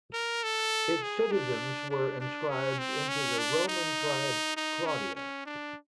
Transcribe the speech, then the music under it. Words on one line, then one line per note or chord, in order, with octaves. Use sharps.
Its citizens were inscribed into the Roman tribe, "Claudia".
A#4
A4
G#4
D4
D4
D4
C#4
C4
C#4
D4
D#4
D#4
C#4
C#4
D4